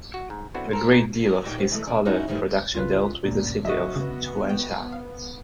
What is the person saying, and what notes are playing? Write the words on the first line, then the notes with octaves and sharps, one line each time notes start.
A great deal of his scholar production dealt with the city of Cuenca.
F#4
G#2
B3 C4 D4 E4 F#4 A4
A4 A#4 C5
A#2
A#2 D#4 G4 G5
F3 B3 B4
B2 E3 F3 G#3 A3
C#4 D5
G#3 A#3 C#4 D#4 E4 F#4
G#2 D#3 E3 F#3 G3 A3
C#2 C#3 F4 B4
A1 D2 G2 A#2
F#3 F#4 D#5 E5
C#3 B3
G5
F5